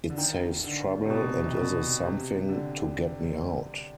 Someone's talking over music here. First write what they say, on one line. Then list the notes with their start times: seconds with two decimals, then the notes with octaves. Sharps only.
It saves trouble, and is a something to get me out.
0.10 D3
0.18 D#3
0.64 D3
1.05 C3
1.10 B2
1.45 C3
1.57 B2
2.03 C3
2.49 D3